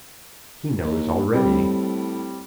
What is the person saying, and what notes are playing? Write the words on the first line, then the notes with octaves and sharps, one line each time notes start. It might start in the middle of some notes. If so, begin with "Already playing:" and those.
He knows already.
D#2
A2 G3 C4